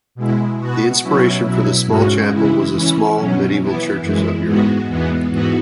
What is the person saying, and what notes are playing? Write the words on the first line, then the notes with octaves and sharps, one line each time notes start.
The inspiration for this small chapel was the small medieval churches of Europe.
B2 G#3 E4
B2 B3 F#4
B2 F#3 C#4 E4
B2 F#3 E4
G#2 G#3 C#4 F#4
C#3 E3 G#3 E4
E3 C#4 E4
B2 F#3 C#4
E3 B3 E4
F#2 E3 G#3 E4
G#2 G#3 B3 F#4
E2 E3 G#3 B3
G#2 E3 B3 F#4